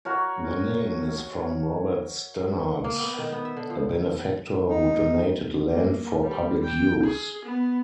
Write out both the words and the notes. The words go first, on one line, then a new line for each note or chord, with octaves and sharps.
The name is from Robert Stanard, a benefactor who donated land for public use.
F#4 A#4 C#5
A#3
B3
D#3
B3
E5
D3
F3
D#4
A#3
G3
G5
G#4
B3